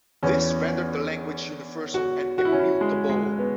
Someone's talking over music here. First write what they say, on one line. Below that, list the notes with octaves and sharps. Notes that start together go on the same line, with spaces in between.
This rendered the language universal and immutable.
E2 E3 C#4
F#4
F#4
E4
C#4
E4
G#3
G#3
B3